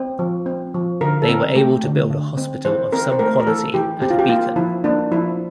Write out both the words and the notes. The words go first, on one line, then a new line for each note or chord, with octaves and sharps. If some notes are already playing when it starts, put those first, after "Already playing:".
They were able to build a hospital of some quality at a beacon.
Already playing: C4
F3
C4
F3
D3 A#4
A4
C4 A#4
A3 G4
D3
D3
C4
E3 C5
C4 A#4
C5
A3 A#4
A#4
E3 A4
E3 G4
C4 G4
F4
G4
A#3 F4
F3 E4
A#3 D4
F3 E4